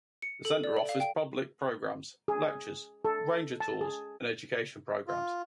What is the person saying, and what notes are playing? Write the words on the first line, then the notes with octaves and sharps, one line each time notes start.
The center offers public programs, lectures, ranger tours and education programs.
C#7
A4
D5
F#7
F5
G5
G#4
A4
A5
G#4
F4